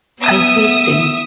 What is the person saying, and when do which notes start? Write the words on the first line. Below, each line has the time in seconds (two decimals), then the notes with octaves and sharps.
I hate them.
0.22 B3 E5 D#6 E6